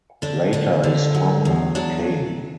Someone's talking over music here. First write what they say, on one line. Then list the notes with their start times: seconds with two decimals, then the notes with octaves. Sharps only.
Later his tongue came.
0.22 D3 D4
0.53 D3 D4
0.83 D3
1.14 F#3
1.45 E2
1.75 F#3 D4